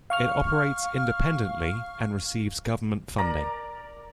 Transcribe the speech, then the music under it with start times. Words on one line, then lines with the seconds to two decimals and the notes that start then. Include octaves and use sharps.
It operates independently, and receives government funding.
0.10 F5 C#6 F6
3.18 A#4 D5 A#5